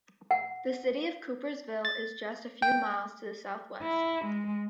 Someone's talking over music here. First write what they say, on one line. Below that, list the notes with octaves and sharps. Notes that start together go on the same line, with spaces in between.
The city of Coopersville is just a few miles to the southwest.
F#5
A6
G5
E4
G#3